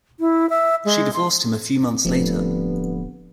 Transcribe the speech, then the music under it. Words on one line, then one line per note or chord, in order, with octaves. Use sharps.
She divorced him a few months later.
E4
E5
G#3
C6
D1 G2 D3 F3 A3 B3 C4